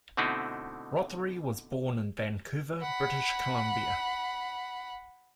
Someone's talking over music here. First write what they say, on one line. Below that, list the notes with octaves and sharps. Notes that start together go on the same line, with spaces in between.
Rothery was born in Vancouver, British Columbia.
B2 D3 A3 C4 D#4 E4
F#5 B5